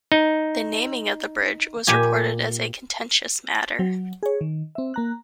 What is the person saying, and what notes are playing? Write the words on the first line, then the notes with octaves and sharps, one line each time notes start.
The naming of the bridge was reported as a contentious matter.
D#4
A#2 G4 G#5
F#3
G#4 C#5
D#3
C4 E5
A#3 A#5 F#6